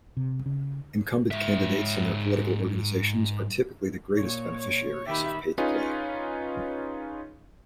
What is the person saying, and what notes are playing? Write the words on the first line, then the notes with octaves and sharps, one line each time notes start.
Incumbent candidates and their political organizations are typically the greatest beneficiaries of Pay-to-Play.
C3
C#3
G#2 E5
A#2 C#5
D#3 G4 E5 B5
C#4 D#4 F4 G#4 B4